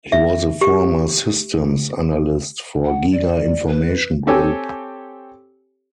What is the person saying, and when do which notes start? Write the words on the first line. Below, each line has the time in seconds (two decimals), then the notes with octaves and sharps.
He was a former systems analyst for Giga Information Group.
0.12 E5
0.61 G4
2.84 F#5
3.12 D5
3.67 B4
4.27 C4 G4 A4 C#5 G#5